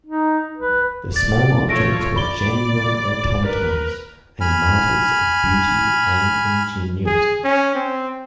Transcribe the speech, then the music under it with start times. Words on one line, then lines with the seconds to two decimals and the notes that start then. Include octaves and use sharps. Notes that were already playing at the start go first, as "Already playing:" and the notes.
The smaller objects were genuine automatons, and marvels of beauty and ingenuity.
0.06 D#4
0.57 B4
1.16 D5 A6
1.68 A3 F4 C#5 A6 A#6 D7
2.16 D5 B5 G7
3.45 A#4 B4
4.41 G#5 B5 F6
7.06 G#4
7.44 C#4
7.75 C4